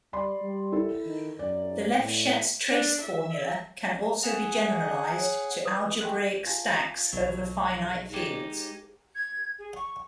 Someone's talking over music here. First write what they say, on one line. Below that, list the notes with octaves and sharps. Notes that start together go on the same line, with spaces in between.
The Lefschetz trace formula can also be generalized to algebraic stacks over finite fields.
G3 D5 B5 C6
G3
E4 A4
D#3
F#2 D5
A2
D4
E5
G#4 F#5 B6 E7 F7
C#5
B4 D#6
G#3 A3 B3 G5 F#6
F4 G#5 A5
B1 F#3
G#3 D#4 G4
G#6
G#4
C#6